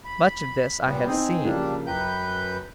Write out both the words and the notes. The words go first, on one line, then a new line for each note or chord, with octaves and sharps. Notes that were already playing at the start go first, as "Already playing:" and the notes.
Much of this I have seen.
B5
A#2 G3 B3
C4 D#4 G#4
C#3 F3 G3 A#3 D4
F#2 B4 G5 A#5 G6